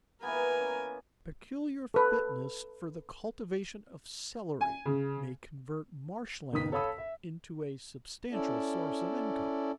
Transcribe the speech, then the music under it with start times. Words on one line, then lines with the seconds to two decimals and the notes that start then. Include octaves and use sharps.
Peculiar fitness for the cultivation of celery may convert marsh land into a substantial source of income.
0.23 E3 A#3 B3 A#4 G#5
0.59 C#4
1.94 A4 B4
4.61 G#5
4.86 C#3
6.52 F#1 D#3 B3 D#6 B6
6.72 A4 C#5 F5 B5 D#6 E6
6.98 E5
8.32 C#4 E4 A4 D5